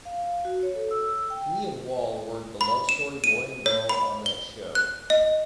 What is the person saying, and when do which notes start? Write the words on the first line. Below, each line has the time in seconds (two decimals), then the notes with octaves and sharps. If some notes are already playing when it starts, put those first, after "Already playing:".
He and Wall were the "Love Story Boy and Girl" on that show.
0.05 F5
0.45 F#4
0.63 C#5
0.75 A4
0.91 E6
1.30 G5
2.61 B5
2.89 E7
3.24 D#7
3.66 C#5
3.89 B5
4.26 G7
4.75 F#6
5.10 D#5